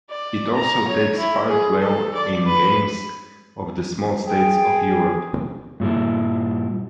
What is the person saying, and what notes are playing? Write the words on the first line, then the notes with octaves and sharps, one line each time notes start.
It also takes part well in Games of the Small States of Europe.
D5
A#5
C#5
E4
G#4
A4
D5
B4
G#4 G5
G2 A#2 G3 E4